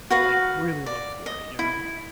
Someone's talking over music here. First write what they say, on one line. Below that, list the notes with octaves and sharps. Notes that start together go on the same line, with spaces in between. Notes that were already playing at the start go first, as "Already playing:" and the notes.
like, really look for it, you know?
F#4 B4 F5
D5
D#5
E4